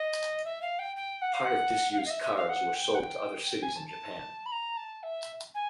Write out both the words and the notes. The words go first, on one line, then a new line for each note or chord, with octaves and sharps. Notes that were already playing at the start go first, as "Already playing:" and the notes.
Part of disused cars were sold to other cities in Japan.
Already playing: D#5
E5
F5
G5
G5
F#5
F5
F#5
F#5
F5
D#5
E5
E5
F5
F#5
G5
F#5
G5
G5
G#5
A5
A5
B5
A#5
A5
E5
G#5